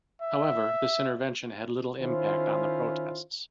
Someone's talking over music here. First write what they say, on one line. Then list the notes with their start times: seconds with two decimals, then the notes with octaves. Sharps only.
However, this intervention had little impact on the protests.
0.21 E5
1.99 D#3 C#4 E4 F4 C5